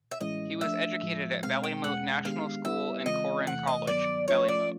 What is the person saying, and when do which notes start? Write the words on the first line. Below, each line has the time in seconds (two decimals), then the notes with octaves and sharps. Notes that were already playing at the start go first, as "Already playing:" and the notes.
He was educated at Ballymote National School and Corran College, Ballymote.
0.11 E5
0.20 A2 E3 G#3 C#4 E4 D#5
0.61 F3 A3 D4 E5
1.02 A2 F3 G#3
1.43 B2 G#3 C4 F5
1.63 G5
1.83 E2 B2 G#3 C#4 F#5
2.24 D#3 G#3 B3 D4 G4 F5
2.65 G3 B3 E4 G4 B4 E5
3.06 C#3 E3 G#3 C4 F4 D#5
3.47 E2 C3 E3 A3 F#5
3.67 D#5
3.87 G2 D#3 F#3 B3 D5
4.28 F3 A3 C#4 F4 C#5
4.48 D5